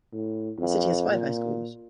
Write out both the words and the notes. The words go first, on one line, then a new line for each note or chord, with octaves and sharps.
The city has five high schools.
A2
F2
A#2